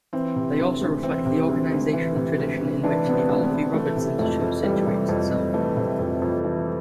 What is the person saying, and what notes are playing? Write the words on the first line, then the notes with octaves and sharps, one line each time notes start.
They also reflect the organizational tradition in which The Alfie Roberts Institute situates itself.
E3 C4
C3
D2
D2
E3 C4
C3
D2
D2
E3
C3
D2
D2
E3 D4
C3 B3
C4
D2
B3
D2
E3 A3
C3
F2 A3
F2
E3 G3
C3
F2
F2
E3 A3
C3
F2
F2
E3